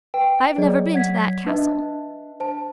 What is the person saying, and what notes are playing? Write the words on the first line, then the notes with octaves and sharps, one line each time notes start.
"I have never been to that castle."
B4 G5
F#3 G#4 D5 D#5
F#5 G#6 B6
D4 B4 D#5 E5
C5 A5